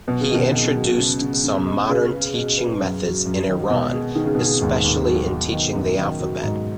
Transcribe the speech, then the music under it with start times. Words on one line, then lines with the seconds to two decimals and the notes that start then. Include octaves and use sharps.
He introduced some modern teaching methods in Iran, especially in teaching the alphabet.
0.07 B2 F#3
0.21 C#3
0.30 B2 D#3
0.52 D#3
0.75 F#3
0.98 C#3
1.21 C#3
1.44 C#3
1.66 G#3
1.89 C#3 B4
2.11 B4
2.34 B2
2.57 B4
2.80 F#2
3.03 F#3
3.25 F#2
3.48 D#3
3.70 B2 G#3
3.93 G#4
4.15 D#3 G#4
4.26 C#3
4.35 B2 G#4
4.45 C#3
4.61 D#2 G#2
4.84 D#2
5.07 F#3
5.29 F#3
5.52 D#3
5.75 F#2
5.97 D#3
6.20 F#3
6.43 G#2